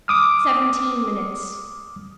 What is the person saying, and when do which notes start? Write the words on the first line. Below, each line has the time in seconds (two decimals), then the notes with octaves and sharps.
Seventeen minutes.
0.08 D6 D#6 F6